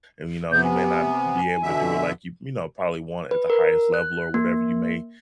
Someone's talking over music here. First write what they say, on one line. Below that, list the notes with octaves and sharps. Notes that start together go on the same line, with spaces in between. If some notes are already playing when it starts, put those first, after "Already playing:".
and, you know, you may not be able to do it like you, you know, probably want it at the highest level or whatever, you may
C3 B3 G6
G#5
B2 D3 E5
B4
A#4
F#6
A#3